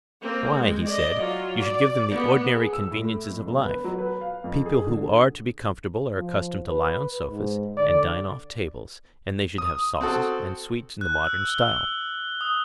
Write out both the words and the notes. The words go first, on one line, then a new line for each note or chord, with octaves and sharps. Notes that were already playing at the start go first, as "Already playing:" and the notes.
Why, he said, you should give them the ordinary conveniences of life. People who are to be comfortable are accustomed to lie on sofas, and dine off tables, and they should have sauces and sweets in the modern style.
A#3 C4
G#3
D5 D#5
F#3 F4
D5
B3
G#4
E6
A2
F2
E1
B4
F#3
B4
F5
F2
G#4
D3
F3
B4
G#2
D3 D5
D#6
C4 F#4 A4
F#6
E6
G7
E6
D#6